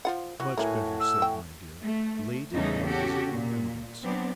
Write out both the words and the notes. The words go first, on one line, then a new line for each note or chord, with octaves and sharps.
'Much better said, my dear; laid it up as a remembrance.
F3 F4 F#5
E3 F#4
A2 E3 A#4 G#5
E6
G5
A3
E2 C#3 G3 A3 C#4 D#4
C#4 F#4 G4 A4
A#2
F#3 B3 C4 D4